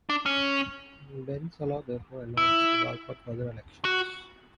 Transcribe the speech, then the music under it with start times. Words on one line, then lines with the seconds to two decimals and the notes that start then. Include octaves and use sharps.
Ben Salah therefore announced to boycott further elections.
0.10 D4
0.26 C#4
2.37 E4
3.85 F#4